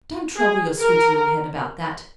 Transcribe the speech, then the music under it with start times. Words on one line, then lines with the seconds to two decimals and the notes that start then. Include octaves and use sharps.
'Don't trouble your sweet little head about that.
0.36 G#4
0.79 A#4